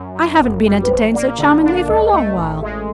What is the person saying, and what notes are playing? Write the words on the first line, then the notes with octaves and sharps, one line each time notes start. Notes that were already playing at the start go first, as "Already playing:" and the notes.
I haven't been entertained so charmingly for a long while.
Already playing: F#2
F#2
G1
G3
B4
A#1 C5
A#3 D5
D3 D5
D4
C#2 D#5
A3
A1
G#3